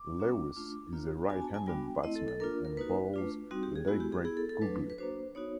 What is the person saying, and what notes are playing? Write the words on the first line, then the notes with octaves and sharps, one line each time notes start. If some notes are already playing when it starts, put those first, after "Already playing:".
Lewis is a right-handed batsman and bowls a legbreak googly.
Already playing: D6
G3 A#3 C#4 F#4
A3 D4 F4
A#3 D4 F4
B3 D4 F#4 G#5
A5
G#5
G3 B3 D4 F#4 G5
A3 C4 E4 D#5
A4
A4
A#3 D4 F4 A#4
A#4
A#3 D#4 F#4 B4
A3 D4 F4
G3 C4 D#4 F#4
G4
G#4
G#3 B3 E4 F#4
G4
G#4
B3 E4 G#4
A4
A4
F#3 A3 D4 B4
B4
A#3 D4 F#4 C5
B3 D#4 F#4 C#5